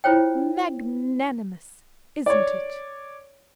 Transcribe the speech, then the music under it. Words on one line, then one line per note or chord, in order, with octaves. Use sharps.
Magnanimous, isn't it?
E4 F4 C5 C#5 G5
C#5 D5